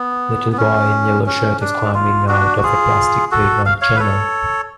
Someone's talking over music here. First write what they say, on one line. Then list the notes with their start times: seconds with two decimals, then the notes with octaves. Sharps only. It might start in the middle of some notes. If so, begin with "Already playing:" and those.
Little boy in yellow shirt is climbing out of a plastic playground tunnel.
Already playing: B3
0.52 B3
0.57 C#4
1.26 C#4
1.61 D4
1.94 F4
2.28 D4 F#4
2.57 F#4
2.63 F4 G#4
3.31 F#4 A4
3.66 F5
3.82 C#5 F5
3.96 B4
4.00 A4 C#5